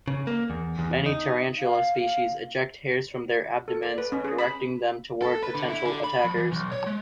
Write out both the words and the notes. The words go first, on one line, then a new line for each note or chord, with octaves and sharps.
Many tarantula species eject hairs from their abdomens, directing them toward potential attackers.
C#3
A#3
E2
E2
D#4
F5
A4
D5
B4
C#4
G#4
B5
A4
B4
D3
E4
D3
B5
F3
E3
B1
C#5
G#3